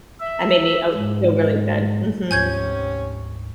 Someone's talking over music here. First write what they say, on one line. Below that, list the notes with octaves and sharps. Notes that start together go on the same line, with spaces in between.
I made me o feel really good. Mhm.
E5
G#2
D2 G#2 C3 C#4 G#5 G6 G#6